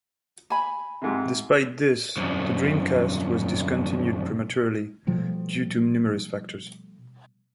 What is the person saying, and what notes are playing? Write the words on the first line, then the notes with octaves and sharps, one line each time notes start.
Despite this, the Dreamcast was discontinued prematurely due to numerous factors.
G#5 B5
G#2 C3
C2 F#2
B2 F3 G3 A3